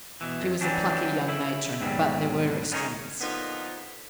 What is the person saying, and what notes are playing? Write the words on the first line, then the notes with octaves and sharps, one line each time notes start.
She was a plucky young matron, but there were extremes.
B2 E3
F2
E3 F#3 G3 C#4 D4
C#3 E4
D#2 G#2 B2 F#3 G3
B3 C#4 D#4 G#4 C#5
A#2 D3 F3 B3 D#4